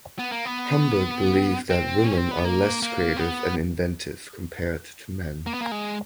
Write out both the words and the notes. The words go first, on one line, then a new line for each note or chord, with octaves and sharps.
Humbert believed that women are less creative and inventive compared to men.
B3
A#3
B3
C4
C#4
C4
B3
A#3
A#3
C4
B3
A#3
B3
A#3
G#3